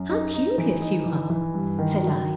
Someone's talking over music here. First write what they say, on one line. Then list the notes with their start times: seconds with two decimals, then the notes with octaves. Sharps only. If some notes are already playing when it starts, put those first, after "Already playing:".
"How curious you are!" said I.
Already playing: F#2
0.09 D#4
0.34 D#4
0.58 E3
0.82 D#4
1.06 E3
1.30 E3
1.54 G2
1.79 D#3
2.03 F#3